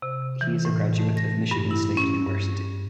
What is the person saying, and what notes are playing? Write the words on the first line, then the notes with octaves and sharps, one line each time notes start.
He is a graduate of Michigan State University.
C3
E3
A2
A3
A#6
G2
E4
C#4
G2